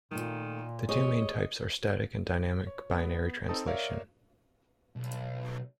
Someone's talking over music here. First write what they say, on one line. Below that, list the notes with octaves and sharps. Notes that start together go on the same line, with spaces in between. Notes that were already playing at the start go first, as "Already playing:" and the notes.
The two main types are static and dynamic binary translation.
A#2 D#3 A3 A#3 F4
G4 G#4 C5 C#5 D#5
C#5
B3
C4 D#4 A4 A5 D#6
A#4 C#5 D5 E5 F5
B1